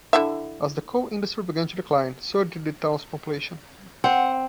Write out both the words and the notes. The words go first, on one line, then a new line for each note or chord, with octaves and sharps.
As the coal industry began to decline, so did the town's population.
D3 E4 E5
C4 F#5